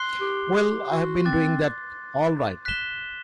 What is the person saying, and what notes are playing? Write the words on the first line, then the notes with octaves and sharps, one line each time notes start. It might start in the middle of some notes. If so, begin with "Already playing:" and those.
Well, I've been doing that, all right.
Already playing: C6 F#6 C7 G7
G4
G4
F#4
C4 D6 F#6 A6
F#6 B6 E7 G7